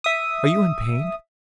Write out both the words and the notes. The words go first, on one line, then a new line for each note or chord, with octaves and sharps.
"Are you in pain?"
E5 D#6